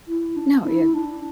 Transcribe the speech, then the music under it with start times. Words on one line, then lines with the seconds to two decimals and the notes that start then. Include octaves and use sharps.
No, yeah.
0.08 E4
0.36 D4
0.65 E4
0.94 D4